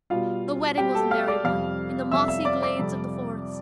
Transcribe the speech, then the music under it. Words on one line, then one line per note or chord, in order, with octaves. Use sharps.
The wedding was a merry one, in the mossy glades of the forest.
B2 G3 F4 F5
B2 G3 G4 G5
A4 A5
F5 F6
D5 D6
F2 C3 G3 F5 F6
F2 C3 G3 E5 E6
E5 E6
D5 D6
D5 D6
F2 C3 G3